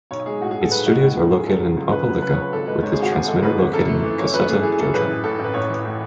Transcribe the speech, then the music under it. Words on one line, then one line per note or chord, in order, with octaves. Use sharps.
Its studios are located in Opelika, with its transmitter located in Cusseta, Georgia.
B1 C#5
G#3 G#4
A2 F#4
G#4
B1
A4
B1 B4
G#3 F#4
A2
B1
C#2 G#4
F#3 A4
C#3
C#2
C#2 B4
F#3 B4
C#3 B4
C#5
C#2 B4
G#1 A4
G#3 B4
G#2 C#5
G#4
G#1 F#4
G#1 G#4
G#3 A4
G#2 B4
G#1
F#2 A4
A3
E3
F#2 C#5
F#2 B4
A3 G#4
E3 G#4
F#2 A4
A1 B4
E3
A2 A4
A1
B4
A1 C#5
E3
A2